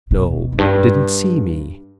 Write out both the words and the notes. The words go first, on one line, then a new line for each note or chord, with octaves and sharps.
No. Didn't see me.
B2
F2
G2